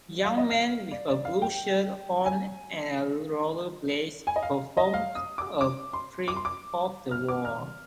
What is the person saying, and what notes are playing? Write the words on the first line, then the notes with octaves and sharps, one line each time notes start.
Young man with a blue shirt on and rollerblades performs a trick off the wall.
F5
D#5
F5
D5
D5
F5
G5
G#5
G#5
D#5
F5
D#5
F5
D#6
D6
D6
C6
D6
C6
D6
F6
D6
F6